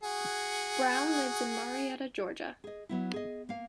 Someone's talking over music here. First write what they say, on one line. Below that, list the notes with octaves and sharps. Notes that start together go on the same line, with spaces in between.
Brown lives in Marietta, Georgia.
F#4 G#4
G#4 D#5
F#3 B3 E4
G#4 D#5
A#3 F5